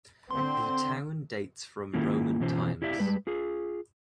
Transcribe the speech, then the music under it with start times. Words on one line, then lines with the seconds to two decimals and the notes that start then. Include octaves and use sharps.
The town dates from Roman times.
0.31 D3 C4 C6
1.94 D#3 A#3 C#4 E4 F4
2.40 B2 E3 C#4 F4 C5
2.82 E4 G4 D5 E5 F5
2.99 G3 G#3 B4
3.27 F4 G#4